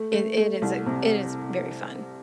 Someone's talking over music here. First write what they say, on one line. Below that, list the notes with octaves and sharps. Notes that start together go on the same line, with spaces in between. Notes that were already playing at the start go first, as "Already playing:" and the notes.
i it it is it is very fun.
Already playing: A3
A3
A3
C2
C3